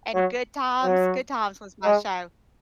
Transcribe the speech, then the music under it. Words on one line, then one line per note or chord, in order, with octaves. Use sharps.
And Good Times, Good Times was my show.
F#3
F#3
G#3